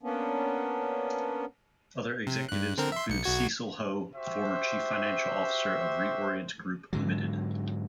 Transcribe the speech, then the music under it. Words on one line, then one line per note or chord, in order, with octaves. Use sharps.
Other executives include Cecil Ho, former Chief Financial Officer of ReOrient Group Limited.
A#3 B3 C#4 D4
C3
G2 F#6
D3 C4 A#4
E5 C6
B1 C#7
B1 F#4 G#6
F#4 G4 C5 E5
G#2 D3 F#3